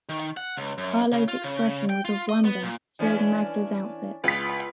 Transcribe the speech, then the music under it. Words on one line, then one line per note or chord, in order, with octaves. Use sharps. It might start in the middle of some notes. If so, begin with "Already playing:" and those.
Carlo’s expression was of wonder, seeing Magda’s outfit.
D#3
F#5
C#2
F#2
C#3
F4
C#3
G5
F4
D#5
B3
A#2
E3 C#4 D4
C#2 B3 F4 B4 B6